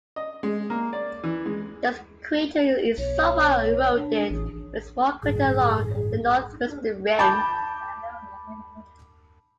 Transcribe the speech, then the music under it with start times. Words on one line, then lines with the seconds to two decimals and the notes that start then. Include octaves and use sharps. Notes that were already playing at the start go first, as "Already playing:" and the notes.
This crater is somewhat eroded, with a small crater along the northwestern rim.
0.16 D#5
0.43 G#3
0.70 A#3
0.93 D5
1.24 E3
1.46 G#3
2.98 B1 C#5
3.95 D4
4.30 A1 G#4
5.23 A1 G2 G#4
7.19 A5 B5 D6 G6